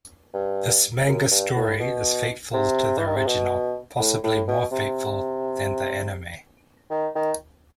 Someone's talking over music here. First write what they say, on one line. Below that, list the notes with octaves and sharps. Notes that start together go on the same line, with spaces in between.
This manga story is faithful to the original, possibly more faithful than the anime.
G2
F#2
G2
A2
B2
C3
E3
D#3
C3
B2
A2
A2
B2
C3
D#3
D#3